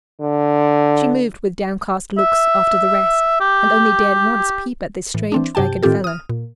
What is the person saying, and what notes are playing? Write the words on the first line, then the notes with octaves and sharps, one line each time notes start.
She moved, with downcast looks, after the rest, and only dared once peep at this strange ragged fellow.
D3
E5
G4
A2 E3
E3 C4 D4
G2 C3 G4 G5 A5
A2 D#3 C4 F4 G4 A4
D#6 F6
A#2